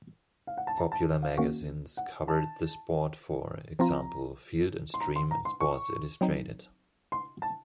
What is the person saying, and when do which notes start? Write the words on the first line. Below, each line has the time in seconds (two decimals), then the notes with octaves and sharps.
Popular magazines covered the sport-for example, Field and Stream and Sports Illustrated.
0.47 F5
0.57 F#5
0.67 A5
0.78 A#5
0.92 A5
1.23 F5
1.38 D#3 A#3 C#4 F#4
1.97 F#5
2.28 A5
3.79 F3 C4 F4 A#5
4.94 C6
5.01 A#5
5.16 C6
5.31 A#5
5.45 C6
5.60 C#6
6.21 F#3 C4 D#4
7.12 C6
7.42 A5